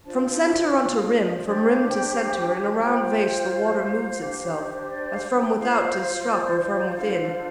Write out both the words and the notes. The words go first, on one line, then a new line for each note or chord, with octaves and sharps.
From centre unto rim, from rim to centre, In a round vase the water moves itself, As from without 'tis struck or from within.
D4 F4 C5 A5
A5
F5
D4 G4 C5 D5
F5
G5
F5
G5
A5
A5
F4 C5 G5
F5
D4 G4 C5
D5
F5
G5
F4 C5 F5
D5
D5
D4 F4 A4 C5 F5